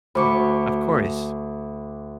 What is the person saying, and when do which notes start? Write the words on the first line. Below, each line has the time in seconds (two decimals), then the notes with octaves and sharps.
Um Of course.
0.15 D2 B5 C#6 D6